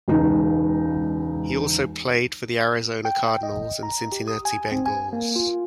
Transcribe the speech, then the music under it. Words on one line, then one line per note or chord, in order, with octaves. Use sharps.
He also played for the Arizona Cardinals and Cincinnati Bengals.
E1 C#2 D#4
G5
G5
D#5
A#5
G4
D#6
G#5
C4
G#5
A#3
F4